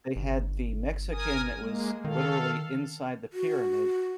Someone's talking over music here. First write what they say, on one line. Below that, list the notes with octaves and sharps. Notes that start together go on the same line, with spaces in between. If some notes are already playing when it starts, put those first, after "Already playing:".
They had the Mexican that was literally inside the pyramid,
G1
A#4 G#5 D#6
G#3 A#3
D#3 A4 F5
F#4